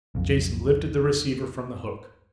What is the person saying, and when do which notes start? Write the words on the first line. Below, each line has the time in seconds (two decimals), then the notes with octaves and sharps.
Jason lifted the receiver from the hook.
0.15 B1 F2